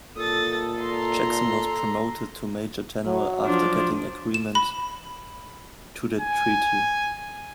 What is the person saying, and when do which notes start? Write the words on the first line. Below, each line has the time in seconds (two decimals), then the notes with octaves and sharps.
Jackson was promoted to Major General after getting agreement to the treaty.
0.17 A#2 A4 D#6 A6
0.80 A#5 C6
3.06 F#3
3.44 F3 D4
4.34 E7
4.55 B5
6.21 G#5